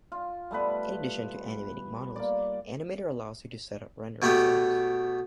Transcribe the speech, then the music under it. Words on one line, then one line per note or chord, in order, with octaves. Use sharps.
In addition to animating models, Animator allows you to set up rendering settings.
F4
G3 A3 B3 B4
A#3 D5
B2 A3 B3 G4